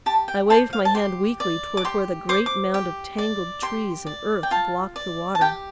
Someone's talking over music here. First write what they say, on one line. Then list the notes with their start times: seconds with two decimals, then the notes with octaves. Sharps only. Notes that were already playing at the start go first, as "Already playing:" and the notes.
I waved my hand weakly toward where the great mound of tangled trees and earth blocked the water.
0.06 G4 A5
0.28 G5
0.50 C5 A5
0.73 F5
0.85 A5
0.95 G4 C6
1.40 D5
1.77 D6
1.85 G4 C6
2.29 C5 D6
2.46 D6
2.74 G4
3.18 D5
3.62 G4 C6
4.07 D5
4.43 G5
4.51 F4 A5
4.96 D5
5.35 A5
5.41 G4 G5